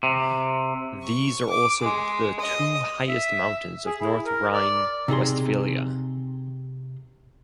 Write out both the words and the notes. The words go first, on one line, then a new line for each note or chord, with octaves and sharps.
These are also the two highest mountains of North Rhine-Westphalia.
C3
C#6
D6
G#3
D#5
E5
G#4
E4
A#4
D5
C3 D#4 G#4 C6